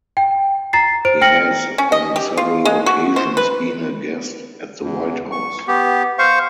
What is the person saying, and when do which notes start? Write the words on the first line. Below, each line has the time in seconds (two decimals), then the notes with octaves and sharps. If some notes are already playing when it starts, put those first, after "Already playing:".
He has on several occasions been a guest at the White House.
0.17 G5
0.73 A#5 A6 C7
1.05 C5 D7
1.21 G5 F6 A#6 C#7 F#7
1.78 C#4
1.92 D#5
2.16 G4
2.37 F4
2.65 G#3
2.86 F#4
3.16 C5
3.37 B4
4.82 E2
5.32 C#6
5.68 B3 G4
6.19 C5 F5 C#6